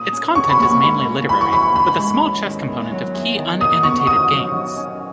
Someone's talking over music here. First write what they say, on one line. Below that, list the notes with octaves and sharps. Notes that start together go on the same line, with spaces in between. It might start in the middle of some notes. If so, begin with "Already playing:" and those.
Its content is mainly literary, with a small chess component of key unannotated games.
Already playing: A#2 D#6
C#4
G#4 C#6
B5
A#3 C#6
G#2
A#3
E4 B5
C#6
E3 B5
D#2 B5
G#3
C#4
D#3
E2
F#3
E2
D#3
A#2 D#6
B3 C#6
F#4 D#6
F#3
D#3
C#4